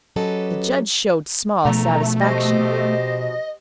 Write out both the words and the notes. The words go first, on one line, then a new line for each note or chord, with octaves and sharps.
The judge showed small satisfaction.
F#3 C#4 G4 A4 B4 D#5
B2 F3 A3 A#5
G4 C5 D#5